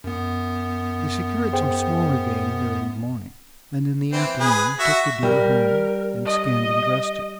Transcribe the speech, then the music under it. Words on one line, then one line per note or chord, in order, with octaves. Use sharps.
They secured some smaller game during the morning, and in the afternoon took the deer home, and skinned and dressed it.
F#2 B3
G#4 C5 G5
E3 C4
G#4 B4
F#4 E5
G3 A#4
D#5